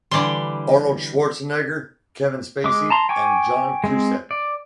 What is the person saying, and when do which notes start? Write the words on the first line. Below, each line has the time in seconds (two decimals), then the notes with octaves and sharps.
Arnold Schwarzenegger, Kevin Spacey, and John Cusack.
0.11 D3 E3 G3 C6 D6
2.64 G#3 D6
2.90 A5 A#5 C6
3.09 G5 G#5 C#6 D6
3.84 G#3 C4
4.31 D5